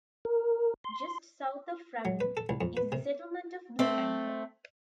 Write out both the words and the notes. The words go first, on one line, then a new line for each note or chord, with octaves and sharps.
Just south of Fraddon is the settlement of Blue Anchor.
A#4
C6
F#3
B4
A4
C2
F2
B4
C3
A3 C4